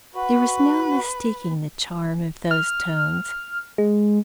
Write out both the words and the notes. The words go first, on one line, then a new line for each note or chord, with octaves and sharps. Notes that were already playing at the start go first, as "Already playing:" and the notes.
There was no mistaking the charm of those tones.
F#4 B4
F6
G#3